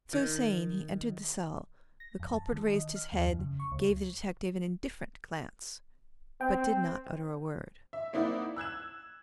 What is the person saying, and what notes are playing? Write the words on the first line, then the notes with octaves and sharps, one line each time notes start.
So saying he entered the cell, the culprit raised his head, gave the detective an indifferent glance, but did not utter a word.
D#3
A#6
F2
A5
D#3
D#5
F6
D#2
F2
C#3
C#6
C#2
C4 G5
E5
A#3 C4 D#4 E4 D5 F#5
E6 F#6 G#6 E7